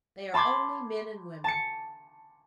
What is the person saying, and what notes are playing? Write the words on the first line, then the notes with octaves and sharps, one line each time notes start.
They are only men and women.
A5 B5 C6 D6 G#6
A5 C#7